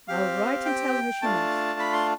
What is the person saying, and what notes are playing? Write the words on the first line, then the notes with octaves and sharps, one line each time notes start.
I'll write and tell her she must.
C4 G4 F5
G5
A3 D4 F4 A5
B5
C6